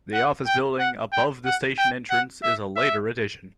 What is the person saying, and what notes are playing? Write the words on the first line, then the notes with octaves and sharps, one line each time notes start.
The office building above the station entrance is a later addition.
F#5
G5
F#5
G5
F#5
G5
F#5
E5
E5